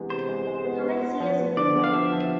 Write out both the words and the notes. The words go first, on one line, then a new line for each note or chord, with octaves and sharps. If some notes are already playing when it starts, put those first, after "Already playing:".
Come and see us if you like.
Already playing: C3 E3 G#3 B3
C3 C5
G#3
G#3
B3
B3
B3
F3
B3
D3 D5
B3
F5
F3 E5
F3